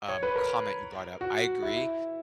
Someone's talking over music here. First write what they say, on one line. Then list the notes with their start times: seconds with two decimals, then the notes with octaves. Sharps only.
um, comment you brought up. I agree,
0.09 C#5
0.23 B4
0.36 A#4
1.21 F#4
1.63 E4